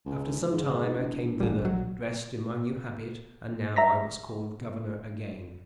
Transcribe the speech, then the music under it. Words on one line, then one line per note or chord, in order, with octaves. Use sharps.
After some time, I came thither dressed in my new habit; and now I was called governor again.
C#2
G#2
E1
A1 G3
A#1 F#3
E5 A#5 A#6 B6